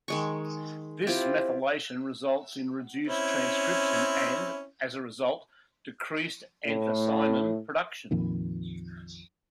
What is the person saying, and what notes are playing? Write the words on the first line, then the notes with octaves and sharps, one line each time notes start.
This methylation results in reduced transcription and, as a result, decreased anthocyanin production.
D#3 G#3 C#6
C4 E4 F4 G4
C4 C#4 E4
A2
A#1 F2 A#2 D#3